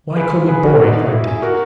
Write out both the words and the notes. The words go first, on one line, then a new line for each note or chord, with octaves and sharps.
"Why call me 'boy'?" cried Dick.
G#4 B4
G#4 B4
F#4 A#4
D#4 F#4
D#4
E4
E4 G#4
F#4 A#4